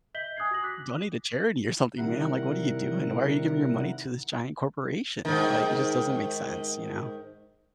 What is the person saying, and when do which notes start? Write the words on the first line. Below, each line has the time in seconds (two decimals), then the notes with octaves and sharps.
donate to charity or something, man, like, what are you doing? Why are you giving your money to this giant corporation? Like, it just doesn't make sense, you know?
0.14 D#5 E5 G6 B6 F#7 G7
0.37 G#5 D#6 F#6 G#6 C7
0.51 F#4 D#6 A6 A#6 F#7
0.63 D6 F#6 B6
1.98 C3 D#3 G3 E4 A#4 F#5
5.25 G#2 D#3